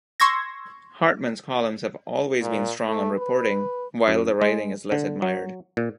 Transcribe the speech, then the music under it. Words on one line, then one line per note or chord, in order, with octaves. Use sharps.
Hartman's columns have always been strong on reporting, while the writing is less admired.
C6 C#6 E6 G#6 A#6
A#2
A3
B4
F#2
G#3
D3
F#3
A#2